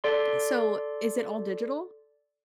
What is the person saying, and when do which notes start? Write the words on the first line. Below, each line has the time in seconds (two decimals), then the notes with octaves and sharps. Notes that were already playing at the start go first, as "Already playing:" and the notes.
Eh, so, is it all digital?
0.04 A4 D5 C6